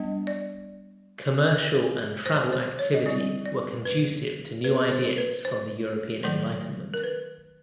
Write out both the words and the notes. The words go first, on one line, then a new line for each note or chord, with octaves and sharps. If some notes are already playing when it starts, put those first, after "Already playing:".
Commercial and travel activity were conducive to new ideas from the European Enlightenment.
Already playing: G3 B3 D4 D#5
D5
C5
C5
C#5
D#5
G3 C4 E4 D5
D5
B4
B4
C5
B4
C5
D#3 F#3 A3
A#4
B4